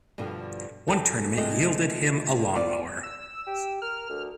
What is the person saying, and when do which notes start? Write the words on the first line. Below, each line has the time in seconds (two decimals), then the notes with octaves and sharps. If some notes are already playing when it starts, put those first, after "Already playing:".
One tournament yielded him a lawnmower.
0.18 G2 B2 D3 F3
0.88 F#2 F#4 A4 G5 A5
1.37 C3 F3 G#3 A3 D#5
2.40 D3
2.55 F4 C5 D5
3.03 E6
3.47 G4
3.82 A#4 F6
4.10 D2